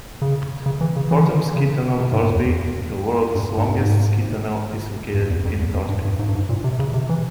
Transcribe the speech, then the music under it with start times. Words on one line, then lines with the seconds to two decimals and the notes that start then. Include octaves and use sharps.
Fortum Ski Tunnel Torsby, the world's longest ski tunnel, is located in Torsby.
0.22 C#3
0.66 C#3
0.81 E3
0.96 C#3
1.11 E3
1.56 C#3
2.01 C3
2.12 G#2
2.23 G2
2.35 E2
2.46 E2
3.35 G2
3.57 G#2
3.69 G2
3.80 G#2
5.15 G2
5.30 E2
5.45 F2
5.60 E2
5.75 F2
5.89 G2
6.05 G2
6.19 G#2
6.29 G2
6.35 G#2
6.49 A#2
6.64 C3
6.79 C#3
6.94 C3
7.09 E3